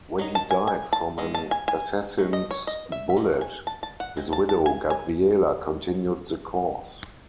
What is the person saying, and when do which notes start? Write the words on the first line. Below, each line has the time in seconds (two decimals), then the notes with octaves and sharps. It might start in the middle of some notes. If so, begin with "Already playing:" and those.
When he died from an assassin's bullet, his widow Gabriela continued the cause.
0.19 D#3 F#3 D#4
0.35 A5
0.51 G#5
0.67 G#5
0.93 A5
1.18 D#3 G#3
1.34 A5
1.51 G#5
1.68 G#5
2.18 D#3 A3
2.33 D#5
2.51 C#5
2.67 D#5
2.92 E5
3.10 E5
3.17 D#3 A3
3.41 G#5
3.67 A5
3.83 A5
4.00 F#5
4.17 G#3 C4
4.33 A5
4.49 A5
4.66 G#5
4.90 G#5